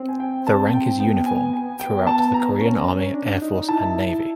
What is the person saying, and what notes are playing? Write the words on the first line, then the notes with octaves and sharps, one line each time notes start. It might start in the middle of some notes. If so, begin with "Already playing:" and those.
The rank is uniform throughout the Korean Army, Air force, and Navy.
Already playing: C4
G#5
G5
A5
G5
B3 G5
G#5
G#5
G5
A5
A#5
C#4
D4
D#4
E4 A5